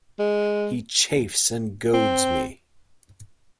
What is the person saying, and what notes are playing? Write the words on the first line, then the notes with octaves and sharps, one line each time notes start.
He chafes and goads me!
G#3
C4